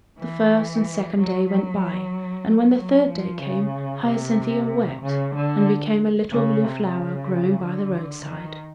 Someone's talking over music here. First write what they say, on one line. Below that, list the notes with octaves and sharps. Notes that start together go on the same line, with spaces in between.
The first and second day went by; and when the third day came, Hyacinthia wept, and became a little blue flower growing by the roadside.
E3
F#3
F#3
F#3
F3
C#3
C3
C#3
D3
C#3
C3
C#3
D3
D#3